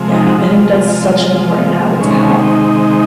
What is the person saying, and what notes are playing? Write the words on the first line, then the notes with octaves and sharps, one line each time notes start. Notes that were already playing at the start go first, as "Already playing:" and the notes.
Yeah, I think that's such an important habit to have.
Already playing: C3 F3 G#3
D#4
F#4
C3 F3 G#3 F4
C3 D#3 G#3 C#4
D#4
D#4